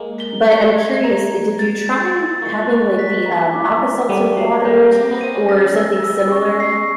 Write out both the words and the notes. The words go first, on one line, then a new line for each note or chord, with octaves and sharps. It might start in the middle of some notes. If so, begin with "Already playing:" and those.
But I'm curious, uh, did you try having, like, the, um, Alka Seltzer waters or something similar?
Already playing: G#3 A#3
G7
G7
G#6
A#5
A#5
A6
A6
A6
G#3 A#3 C#6
F#6
B6
A#5
D6
A#5
G3 A3 D#7
F#3 G#3 C7
G3 A3 G6
A#3 C4 A#6
B3
C4 D#7
B3 C#4
A#6
E6
E6
C#6
C7